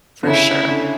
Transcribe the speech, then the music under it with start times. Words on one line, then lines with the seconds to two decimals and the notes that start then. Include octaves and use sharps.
For sure.
0.23 D3
0.27 C#3 E4
0.69 D3